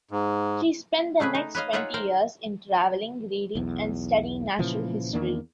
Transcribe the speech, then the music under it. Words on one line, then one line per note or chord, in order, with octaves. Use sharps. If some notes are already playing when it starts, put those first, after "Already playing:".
She spent the next twenty years in traveling, reading and studying natural history.
G#2
C#3 A3 G#4 B4
D#4
B4 C#5 D#5 F5
D#4 F4 G#4 C#5 E5 F#5
A#4 C5 G5
B1 E2
A#2 C#3 E3 F3
E2 D#3 A#3 D4